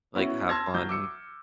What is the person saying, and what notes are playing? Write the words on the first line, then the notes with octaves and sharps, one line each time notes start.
Like, have fun,
B3 C#4 E4 F#4
A5 C6 E6 F6 G#6 A#6
F#3 G6
D6 E6 C#7